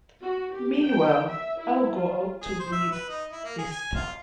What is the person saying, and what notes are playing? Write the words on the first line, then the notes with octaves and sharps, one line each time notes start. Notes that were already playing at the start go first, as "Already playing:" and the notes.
Meanwhile I'll go out to breathe a spell.
F#4
G4
G5
E5
E4
F4
G#4
C5
E5
B4
D#4
E4
A#3
G#4
G#5
F4